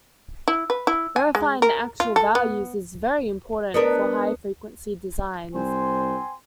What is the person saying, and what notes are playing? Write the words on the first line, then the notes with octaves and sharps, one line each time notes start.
Verifying the actual values is very important for high frequency designs.
E4
B4
E4
G#5
G#3
A#4
F4
A4
B3
B3 D4 A#4
C2 C4 C5 G#5 C6